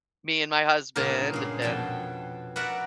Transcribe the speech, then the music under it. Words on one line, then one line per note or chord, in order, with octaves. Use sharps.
me and my husband, and then,
G2 A#2 C#3 A#3 A#4
A#2 G#3
F2 B2 G5 A5
F#4 A#4 B4 D5 E5 F#5